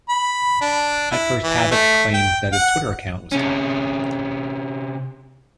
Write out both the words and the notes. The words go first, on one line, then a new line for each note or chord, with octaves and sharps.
At first, Havoc claimed that his Twitter account was hacked.
B5
D4
E4
E3
A3
G5
F#5
C3 C#4